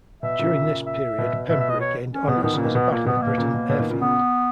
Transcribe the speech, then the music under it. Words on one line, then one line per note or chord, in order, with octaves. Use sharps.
During this period Pembrey gained honours as a Battle of Britain Airfield.
B2 E5
A#2 C#3
E5
B2
B2
B2 E5
E5
D#5
C#5
C#4
B2 B3
E3
B2 D#3 B3
A#2 C#3
A#3
B2 D#3
B2 B3
A#2 A#3
B2 B3
B2
A#3
B2
A#2 C#3
B2
B2
B2 D#3
A#2 C#3
A#2 C#3 B3